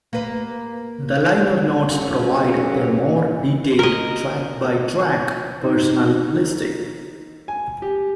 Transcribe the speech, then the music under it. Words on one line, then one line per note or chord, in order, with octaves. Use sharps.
The liner notes provide a more detailed track-by-track personnel listing.
A#3 B4
A#2 C#3 F#3 A#3 C#4
A#4 D#5
D#4
G#5
G4